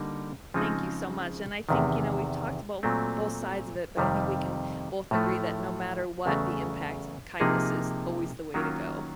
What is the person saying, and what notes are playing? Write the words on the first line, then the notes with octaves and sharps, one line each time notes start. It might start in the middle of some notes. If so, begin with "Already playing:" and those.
Thank you so much, and I think, you know, we've talked abolt both sides of it, but I think we can both agree that no matter what the impact, kindness is always the way to go
Already playing: D3 G3 A#3 D#4
C#3 F3 G#3 C4 D#4
E2 C3 D#3
A#2 F#3 A3 C4
F2 C3 D#3 G3
A2 F3 A3
E2 C#3 F#3 A3
C3 F3 A#3 D#4 G#4
D#3 F#3 A#3 C#4 F4